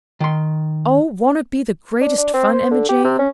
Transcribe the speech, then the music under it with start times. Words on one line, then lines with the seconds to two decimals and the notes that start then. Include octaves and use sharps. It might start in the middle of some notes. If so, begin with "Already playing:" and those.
Oh! won't it be the greatest fun, Emma Jane?
0.20 D#3 C6
2.01 D4
2.18 D4
2.34 C4
2.53 C5
2.71 D3
2.89 G4
3.04 C3
3.19 C#4